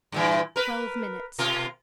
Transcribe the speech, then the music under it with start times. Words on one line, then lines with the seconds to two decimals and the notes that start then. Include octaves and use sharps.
Twelve minutes.
0.12 G2 A#2 E3
0.56 A#4 B4
1.39 B2 F4 A#4